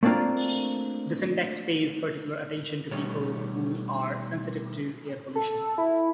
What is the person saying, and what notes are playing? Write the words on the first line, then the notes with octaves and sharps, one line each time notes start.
This index pays particular attention to people who are sensitive to air pollution.
A3 A#3 C4 D4 F4 A#4
B2 D#3 G3 A3 C#5
A4
E4